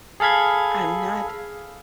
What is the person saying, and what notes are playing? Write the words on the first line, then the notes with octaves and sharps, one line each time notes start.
I I'm not
G#4 A4 F5 B5 G#6